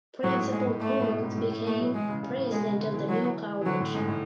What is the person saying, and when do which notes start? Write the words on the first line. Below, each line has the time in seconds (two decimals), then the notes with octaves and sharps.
Principal Koons became president of the new college.
0.23 A2 F#3
0.38 G#2
0.52 A2 G#3
0.67 A2
0.80 A3
0.90 G#2
1.00 A2
1.08 B2
1.24 G#2
1.38 A2
1.51 A2
1.66 B2 A3
1.80 F#3
1.94 E3 G#3
2.09 C#3
2.23 C#3
2.37 A2
2.51 B2 G#3
2.65 C#3
2.80 D3
2.94 E3
3.08 F#3
3.61 E3
3.65 D3 F#3
3.80 A2
3.94 G#2 G#3
4.08 A2